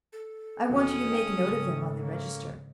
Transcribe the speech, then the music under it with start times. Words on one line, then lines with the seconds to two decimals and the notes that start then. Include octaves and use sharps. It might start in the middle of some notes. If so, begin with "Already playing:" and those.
I want you to make a note of them on the register.
0.12 A4
0.69 E2 B2 D#3 C#4 D#6
1.09 A3 D#4 G5
1.42 G#2 C#3
1.99 A#3 C#4